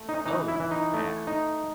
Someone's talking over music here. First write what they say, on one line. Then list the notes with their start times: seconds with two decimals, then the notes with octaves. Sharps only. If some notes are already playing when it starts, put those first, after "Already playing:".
"Oh! Bad!"
Already playing: A3
0.09 D#4
0.25 E3 D#4
0.48 E4
0.60 E3
0.71 D#4
0.94 A3
1.27 D#4